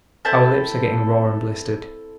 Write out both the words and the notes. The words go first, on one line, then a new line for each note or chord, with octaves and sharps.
Our lips are getting raw and blistered.
C4 E4 A4 A5